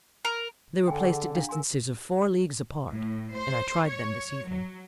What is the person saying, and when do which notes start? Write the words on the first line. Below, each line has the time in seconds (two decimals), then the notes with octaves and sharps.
They were placed at distances of four leagues apart, and I tried them this evening.
0.25 A#4
0.88 D3 G5 G#5
1.00 G#4 F#5
1.35 D4 E4 F5
1.49 A#4 G#5 C6
2.92 A2
3.35 C5
3.88 C#5
4.47 F#3